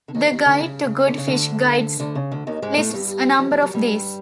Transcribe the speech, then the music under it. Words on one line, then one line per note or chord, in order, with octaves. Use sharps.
The Guide to Good Fish Guides lists a number of these.
D3
D#2 D#3
D#2 D#3
D2 D3
C#3
C#3
D3
C#3
D2 D3
D2 D3
C#3
D2 D3
D#2 D#3
G#2 G#3
A2 A3
G2 G3
F2 F3
F2 F3
F#2 F#3
G2 G3